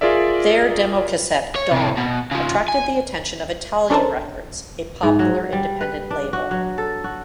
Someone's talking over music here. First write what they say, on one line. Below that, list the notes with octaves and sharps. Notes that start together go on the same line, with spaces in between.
Their demo cassette Dawn attracted the attention of Italian Records, a popular independent label.
F4 G#4 A#4 D5 E5
C#5
A2 C3
B2
C#3 F3
G#5
C#4 D4 A4 A#4 C5 A5
G#2
F#3
G3
B4
D4
F#4
F#3
A4
F#4